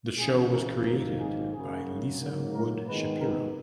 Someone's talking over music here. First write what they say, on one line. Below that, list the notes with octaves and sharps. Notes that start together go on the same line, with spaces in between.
The show was created by Lisa Wood Shapiro.
C#2 C#3 E3 G#4
A#4
G#1 G#2 D#3 F#3 A#3 A#4
G#4
F#2 C#3 F#3 A#3 G#4
G#2 F#3 A#3
A#4
G#2 D#3 G#3 B3 B4
A#4